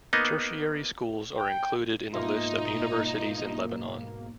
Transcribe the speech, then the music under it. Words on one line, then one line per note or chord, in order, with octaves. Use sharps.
Tertiary schools are included in the list of universities in Lebanon.
A#3 B3 D#4 D#5
G5
G#2 B2 A#3 D#4 F4 E5 C6